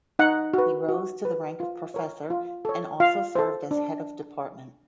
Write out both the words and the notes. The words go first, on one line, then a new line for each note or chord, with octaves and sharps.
He rose to the rank of professor and also served as head of department.
D#4 F#5
F#4 B4
F#4
B4
F4
A#4 C#5
F4
A4 C#5
F4 F5
A4 C5
D4